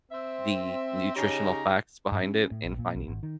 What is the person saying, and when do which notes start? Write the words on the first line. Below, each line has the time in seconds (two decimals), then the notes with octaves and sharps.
the nutritional facts behind it and finding
0.12 C4 E5
1.16 C#3 D#4 G4 C#5 A#5
2.12 G2
2.23 C#4
2.51 A2
2.64 A#1
2.79 A#2
2.95 B1
3.08 G#1
3.23 D#3